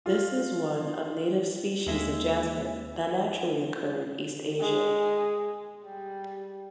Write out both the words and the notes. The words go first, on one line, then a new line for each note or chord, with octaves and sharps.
This is one of native species of jasmine that naturally occur in East Asia.
F4
D#2 G#3 E5
G#3
G3